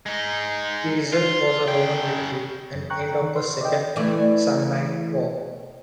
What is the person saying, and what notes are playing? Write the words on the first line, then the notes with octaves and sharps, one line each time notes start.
The result was a Roman victory and end of the Second Samnite War.
G#3 D#4
F4
C#3 G5
F#2
G5 A#5 C#6 F#6
D#3
B4 C6
D5 D#5 G5
E3 A3 D5